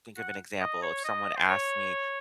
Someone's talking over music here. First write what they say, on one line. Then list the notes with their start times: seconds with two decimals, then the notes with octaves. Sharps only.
think of an example. If someone asked me,
0.17 F#5
0.60 D#5
0.82 C#5
1.04 D#5
1.37 C5
1.48 C#5